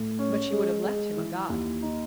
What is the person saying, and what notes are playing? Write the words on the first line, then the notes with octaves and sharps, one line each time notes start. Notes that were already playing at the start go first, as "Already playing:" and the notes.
But she would have left him a god.
Already playing: A2
C#4
G#3
G#3
E3
D#2
D#4